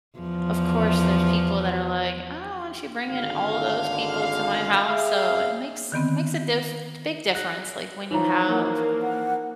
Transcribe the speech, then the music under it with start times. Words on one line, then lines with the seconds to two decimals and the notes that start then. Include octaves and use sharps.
of course, there's people that are like, "Oh, whatcha you bringing all those people to my house." So it makes it makes a diff big difference, like, when you have
0.18 E2 F3
3.07 G#1 D3 F5
4.82 G#4 E5 F5
5.92 D3 D#3 B3 C4
7.35 F#6 A#6
8.11 E3 F3 D#4 C#5 A#5
8.47 A#3
9.02 F#5